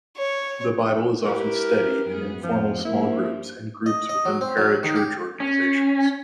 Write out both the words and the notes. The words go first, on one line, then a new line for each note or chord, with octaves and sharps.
The Bible is often studied in informal small groups, and groups within parachurch organizations.
C#5
E4 G4 A#4 B4
F#2 B3 G#4
F2 F3 F4
G2 F3 A#3 E4
D#5
D#5
F#3
C4
F#3
D#3
G4
C#4